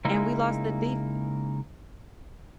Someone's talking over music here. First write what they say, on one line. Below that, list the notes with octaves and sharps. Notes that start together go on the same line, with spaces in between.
And we lost the defense
C#3 G#3 A#3 D#4 E4